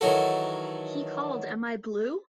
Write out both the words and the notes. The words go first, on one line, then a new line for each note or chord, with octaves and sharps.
He called Am I Blue?
D#3 E3 F#3 F#4 A4